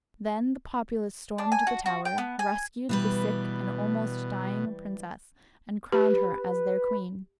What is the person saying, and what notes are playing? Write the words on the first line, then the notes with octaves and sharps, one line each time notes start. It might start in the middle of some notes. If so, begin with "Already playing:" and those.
Then the populace stormed the tower, rescued the sick and almost dying princess, and crowned her as their queen.
D4
G#5
F#4
F#4
G5
B3
G#5
B2 E3 G3 B4
G4 B4